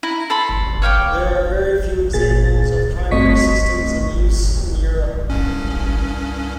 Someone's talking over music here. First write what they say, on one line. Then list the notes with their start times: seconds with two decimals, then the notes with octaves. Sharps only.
There are very few examples of primary systems in use in Europe.
0.03 E4 A#5
0.30 A4 B5 C6
0.82 C#5 F5 G5 D6
2.13 A#2 G#4 A6
3.11 G2 A3 C4 D#5 C#6 B6
5.30 C2 G2 C#4